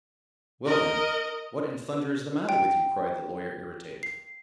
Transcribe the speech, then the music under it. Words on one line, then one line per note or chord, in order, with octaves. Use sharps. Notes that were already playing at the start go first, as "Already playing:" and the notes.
"Well, then, what in thunder is the matter with you?" cried the Lawyer, irritated.
A#4 D#5
G5
C7